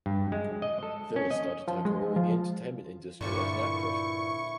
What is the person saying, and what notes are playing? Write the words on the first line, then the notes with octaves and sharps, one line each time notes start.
Villa started her career in the entertainment industry as an actress.
G2
G#3
D#5
A4
C#4
D#5
F3
G#3
F3
G2 A#2 D3 F3 E4 C#6